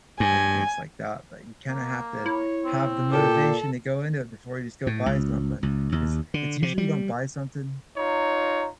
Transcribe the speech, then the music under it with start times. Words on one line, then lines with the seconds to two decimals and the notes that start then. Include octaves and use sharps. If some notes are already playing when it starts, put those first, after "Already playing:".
and things like that, but you kinda have to have the motivation to go into it before you just go buy something, 'cause it's usually you don't buy something
0.20 G2 G#5
1.68 A#3
2.26 E4 C#5
2.65 C4
3.12 A#2 G4 A4
4.87 A2
5.06 C#2
5.63 C#2
5.92 D#2
6.34 D3
6.63 C3
6.78 G3
7.97 D#4 F4 C#5 A#5